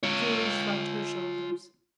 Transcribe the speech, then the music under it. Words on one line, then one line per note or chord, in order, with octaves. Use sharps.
Julie shrugged her shoulders.
F4 C#5